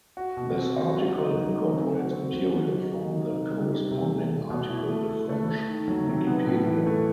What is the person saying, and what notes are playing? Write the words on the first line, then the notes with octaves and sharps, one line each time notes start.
This article incorporates material from the corresponding article in French wikipedia.
F#4
B2
C4
F#4
F#3
D#4
F#3
A3
C4
F#4
C4
F#3
F#4
D#4
D#4
D#4
C3
G3
G3
C3
A3
B2
B2
E4
A3
A4
A3
A3
D#3
F#3
C3
B3
A2
E3
A3